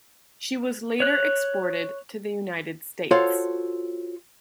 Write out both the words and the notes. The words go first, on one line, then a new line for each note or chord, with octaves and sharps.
She was later exported to the United States.
C#5 F#6
F4 F#4 A4 C5 C#5